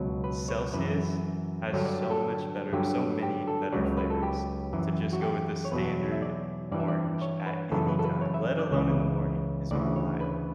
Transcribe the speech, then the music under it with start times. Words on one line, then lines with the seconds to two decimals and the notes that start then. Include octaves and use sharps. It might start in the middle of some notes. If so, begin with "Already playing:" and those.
Celsius has so much better so many better flavors. To just go with the standard orange at any time, let alone in the morning, is wild.
Already playing: C#2 B2 F#3
0.24 B4
0.49 C#5
0.74 F#2 E3 B4
1.73 G2 D3 F#3 C#5
1.86 D5
2.02 G4
2.11 A4
2.73 G2 D3 F#3 G4
3.23 G4
3.48 A4
3.73 C#2 C#3 F#3 D5
3.85 C#5
3.97 B4
4.10 A4
4.23 G4
4.73 F#2 E3
5.13 F#4
5.22 G4
5.65 C#5
5.72 E2 B2 F#3 B4
6.12 E5
6.22 D5
6.72 G2 E3 D5
6.80 E5
6.88 D5
7.22 C#5
7.46 B4
7.72 F#2 C#3 E3 A4
7.88 B4
7.99 A4
8.05 B4
8.21 C#5
8.34 E5
8.59 D5
8.71 C#2 C#3 E3
9.71 D2 C#3 E3 D5
9.96 C#5
10.21 B4